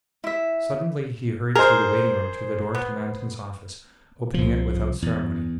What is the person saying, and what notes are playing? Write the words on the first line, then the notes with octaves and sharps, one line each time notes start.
Suddenly he hurried through the waiting room to the door to Manton's office, opening it without ceremony.
E4 E5
G#4 A#4 C5
B3
C2 F3
E2